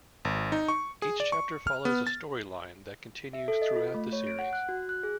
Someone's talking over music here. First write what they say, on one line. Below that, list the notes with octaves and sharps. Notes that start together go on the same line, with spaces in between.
Each chapter follows a storyline that continues throughout the series.
G#1
D#4
C#6
G#4
D5
C#6
F6
B3
A6
E5
A4
D#5
F4
A3
C#5
D7
F#5
F#6
F#4
F#6
G#4